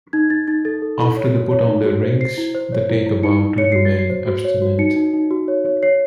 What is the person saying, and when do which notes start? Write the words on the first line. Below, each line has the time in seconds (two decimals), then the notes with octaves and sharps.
After they put on their rings, they take a vow to remain abstinent.
0.13 D#4 G#6
0.30 D#4 A6
0.48 D#4 A6
0.65 A4 A6
0.82 A4
0.99 E4
1.17 C#5
1.34 F#4
1.51 C#5
1.68 D#4
1.85 F#4
2.03 C5
2.21 C5 C7
2.38 E4
2.55 C5
2.72 C#5
2.89 E4
3.06 E4
3.23 D#4 C#7
3.41 D#4
3.58 C#5 C#7
3.72 F#4 C7
3.85 A6
3.92 F#4
3.99 C7
4.10 C5
4.27 F#4
4.44 C#5
4.62 F#4
4.79 D#4 C#7
4.96 D#4
5.13 D#4
5.31 F#4
5.48 C#5
5.65 C#5
5.83 C#5 C7